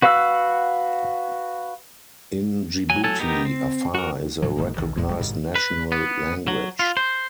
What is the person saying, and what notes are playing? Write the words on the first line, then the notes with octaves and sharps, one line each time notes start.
In Djibouti, Afar is a recognized national language.
F#4 B4 F5 F#5 E6
F#3 G#5
F#3 A4 G#5 A5
B3 D#4 G4 A#4
C4
F#4 A#4
A2 C#3 F3 F#3
E1 G#2 D#3 A#3
B1 E2 D#3 E3
D1 E2 A#2 G#3
D1 F#3 G#3 A3
A1 G#2 B2 D#3
B4
B3
F#3
F4
C5